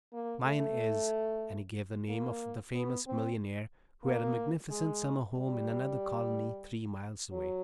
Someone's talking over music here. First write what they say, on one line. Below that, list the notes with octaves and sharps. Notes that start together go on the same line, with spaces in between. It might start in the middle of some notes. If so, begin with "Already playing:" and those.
"Mine is ----," and he gave the name of the famous millionaire who had a magnificent summer home in another colony, three miles away.
A#3
A3
A#3
B3
C4
A#3
G#3
G3
F#3